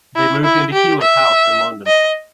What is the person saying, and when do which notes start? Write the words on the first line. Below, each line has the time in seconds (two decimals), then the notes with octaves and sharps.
They moved into Keiller's house in London.
0.16 E4
0.44 E4
0.73 G4
1.02 E5
1.87 D#5